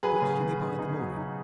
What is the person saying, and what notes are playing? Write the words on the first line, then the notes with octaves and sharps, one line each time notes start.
"But you may bide the morning?"
F#3 G#4 B4
C#3
B3
C#3
D#4
F#3
D#4